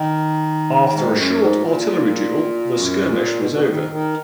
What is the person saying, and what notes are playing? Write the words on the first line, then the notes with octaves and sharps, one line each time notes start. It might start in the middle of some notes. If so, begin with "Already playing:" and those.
After a short artillery duel the skirmish was over.
Already playing: D#3
G#2
F#2
G#2
A#2
F#2
G#2
A#2
B2
B2
C#3
D#3
D#3